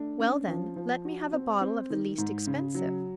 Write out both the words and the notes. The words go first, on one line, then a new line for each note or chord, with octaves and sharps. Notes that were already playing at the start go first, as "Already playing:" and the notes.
"Well, then, let me have a bottle of the least expensive."
Already playing: A3 D4
C#4
F3
F3
F#4
C4
C4
D#3
G#2
C#3
F#3